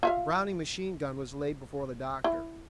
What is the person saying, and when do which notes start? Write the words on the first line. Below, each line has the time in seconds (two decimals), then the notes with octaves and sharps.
The Browning machine-gun was laid before the doctor.
0.03 F4 E5 F5
2.24 E4